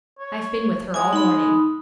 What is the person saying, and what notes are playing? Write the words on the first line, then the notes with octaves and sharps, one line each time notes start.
I've been with her all morning.'
C#5
G#3 G#5 D#6
D#4 B5